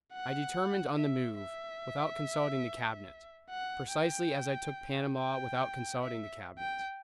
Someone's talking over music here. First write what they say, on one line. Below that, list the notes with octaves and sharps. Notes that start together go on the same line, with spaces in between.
I determined on the move without consulting the Cabinet, precisely as I took Panama without consulting the Cabinet.
F#5
E5
E5
F#5
G5
G5
E5
G5